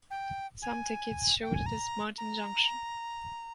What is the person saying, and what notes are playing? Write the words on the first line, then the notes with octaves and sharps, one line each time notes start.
Some tickets showed it as Murton Junction.
G5
G#5
G5
G#5
A#5
A#5